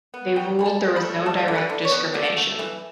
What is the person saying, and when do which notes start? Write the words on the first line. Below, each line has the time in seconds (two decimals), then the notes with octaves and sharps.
They ruled there was no direct discrimination.
0.14 B3
0.36 F#3 G5
0.59 D3 B5
0.66 A5
0.80 D3
0.96 B5
1.02 A3
1.26 G3 A5
1.48 D3
1.55 B4
1.69 D3
1.85 C#5
1.92 B3
2.14 A3 D5
2.37 A3
2.59 E3 E5